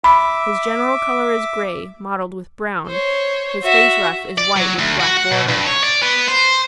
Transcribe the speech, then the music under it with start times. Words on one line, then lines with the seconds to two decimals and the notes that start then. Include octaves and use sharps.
His general color is gray, mottled with brown. His face ruff is white with black border.
0.04 E5 B5 D6
2.87 C5 C#5
3.63 F#4 E5
4.38 D5
4.56 F#3
4.79 D2
5.00 F#4
5.17 F#5
5.31 B2
5.48 G2
5.67 C#5
5.83 D5
6.02 B3
6.28 C5